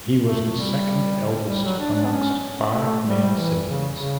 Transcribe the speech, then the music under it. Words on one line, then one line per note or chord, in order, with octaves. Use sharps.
He was the second eldest amongst five male siblings.
A3
G3
G3
F#3
D4
D4
B3
C#4
A3
G3
E3
C#3
C#3